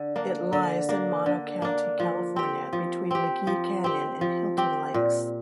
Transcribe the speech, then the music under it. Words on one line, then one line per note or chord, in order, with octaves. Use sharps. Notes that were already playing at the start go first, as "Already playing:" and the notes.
It lies in Mono County, California, between McGee Canyon and Hilton Lakes.
Already playing: D3
A#3 D4
D3
A#3 D4
D3
A#3 D4
F3
C4 G4
F3
C4 G4
F3
C4 G4
F3
C4 G4
A#2